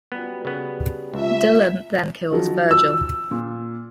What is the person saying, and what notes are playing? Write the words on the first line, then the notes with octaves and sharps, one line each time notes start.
Dylan then kills Virgil.
F#3 G3 B3 C#4
C#3 B3
C#2 F3 E5
D#3 F3 F#3
E6
A#2